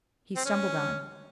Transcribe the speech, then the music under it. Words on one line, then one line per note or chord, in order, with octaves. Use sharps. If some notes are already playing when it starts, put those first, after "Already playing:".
He stumbled on.
C4
C#4